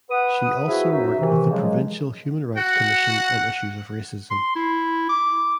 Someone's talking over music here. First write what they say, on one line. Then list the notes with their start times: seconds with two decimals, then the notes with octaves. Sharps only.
She also worked with the provincial human rights commission on issues of racism.
0.10 B4 F#5 D#6
0.67 F3 E4 F#4 G#4 B4 E5
0.91 F#2 D#4 F#4 E5
1.19 C3 D#3 E3
1.50 C#3 F3 F#3 G#3
2.57 F#4 F#5
4.30 C6
4.56 E4
5.09 D6